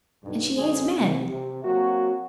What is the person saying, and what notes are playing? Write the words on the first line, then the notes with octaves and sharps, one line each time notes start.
And she hates men!
B1 G2
F#2 D3 G#3 C4 C#4 G#4
C3
C3
F#3 A#3 C4 F#4